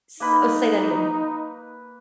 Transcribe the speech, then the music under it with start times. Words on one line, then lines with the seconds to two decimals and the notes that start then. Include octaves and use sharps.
S Oh, say that again.
0.20 A#3 D#4 B4 B5